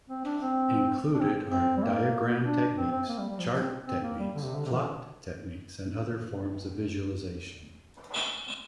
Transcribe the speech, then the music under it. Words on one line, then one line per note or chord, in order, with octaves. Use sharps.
Included are diagram techniques, chart techniques, plot techniques, and other forms of visualization.
C4
D4
C4
D4
C4
C4
G3
A#3
D4
C4
C4
A#3
G3
G3
F3
F3
C4
C4
A#3
G3
D3
C3
D3
C3
F3
D3